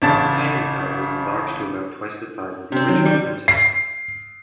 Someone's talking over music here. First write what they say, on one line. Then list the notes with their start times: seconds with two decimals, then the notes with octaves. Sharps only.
The type inside was enlarged to about twice the size of the original printing.
0.02 A1 C#3 A5 A6
2.72 C3 C4
2.89 D#3 F#3 C#4
3.05 G3
3.48 C7